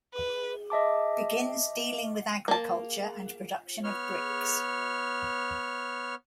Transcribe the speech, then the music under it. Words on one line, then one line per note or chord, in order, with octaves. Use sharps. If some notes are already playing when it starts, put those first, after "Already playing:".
Begins dealing with agriculture and production of bricks.
B4
D#5 E5 A5 D6
A#3 A5
B3 C#5 F6